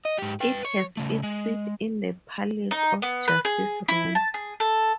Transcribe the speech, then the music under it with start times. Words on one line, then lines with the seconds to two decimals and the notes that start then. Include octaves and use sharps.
It has its seat in the Palace of Justice, Rome.
0.05 D#5
0.18 G#2 G4
0.40 B4 G5
0.65 C#5
0.97 C#3 A3
1.23 G#3
2.71 D#4
3.02 B3
3.28 B4
3.45 G#4
3.88 E4
4.15 A5
4.34 G#4
4.60 A4